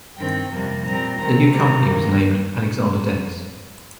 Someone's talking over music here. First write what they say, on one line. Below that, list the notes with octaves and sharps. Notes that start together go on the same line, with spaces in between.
The new company was named Alexander Dennis.
G2 D#3 C4 G5
F2 C3 G3 A#3
A#2 G3 C4 A#5
D#2 D#3 C4 A#5
C3 D#3 G3 C4 A#5
D#2 D#3 A#3